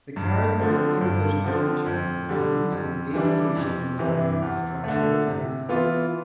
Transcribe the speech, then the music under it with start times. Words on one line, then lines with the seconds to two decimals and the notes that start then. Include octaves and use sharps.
The car's most innovative feature was the use of aviation-inspired structural fuel tanks.
0.16 G2
0.60 D3 F3 C4
1.01 G2
1.44 D3 F3 C4
1.86 F2
2.29 D3 G3
2.72 F2
3.14 E3 G3 D4
3.56 F2
3.99 C3 E3
4.42 E2
4.84 D3 A3
5.27 C3
5.69 E3 B3 F4